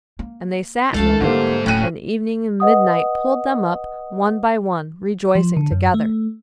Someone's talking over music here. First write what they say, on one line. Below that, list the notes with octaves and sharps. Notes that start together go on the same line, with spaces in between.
And they sat in the loop, and Evening and Midnight pulled them up one by one, rejoicing together.
A#3
C#2 A3 D4 A4 F5 A5
G#2 D3 G3 A#3 D4 E4 C5
D1 A2 C#4 F#4 G5 F#6 D#7
B4 D#5 F#5 D#6
F3
D3
F#2
A3